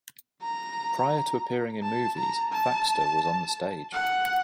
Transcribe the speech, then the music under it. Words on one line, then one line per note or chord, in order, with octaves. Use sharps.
Prior to appearing in movies, Thaxter was on the stage.
A#5
A5
A#5
A5
F#5